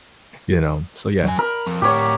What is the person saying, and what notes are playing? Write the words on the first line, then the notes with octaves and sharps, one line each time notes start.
you know? So yeah.
F#3 G#5
A#4 B5
F2
A2 F#4 G4 C#5